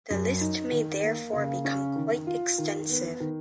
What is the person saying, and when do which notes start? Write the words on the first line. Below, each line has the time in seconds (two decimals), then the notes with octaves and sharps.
The list may therefore become quite extensive.
0.10 F#2
0.41 D#4
0.71 D#3
1.03 A#3
1.33 C#3
1.65 C#4
1.96 D#3
2.27 F4
2.58 D#3
2.89 B3
3.20 D#3